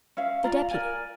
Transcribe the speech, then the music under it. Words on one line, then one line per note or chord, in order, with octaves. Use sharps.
"The deputy."
C#4 E5 F5
F4 D5 A#5
A#4 D5 G#5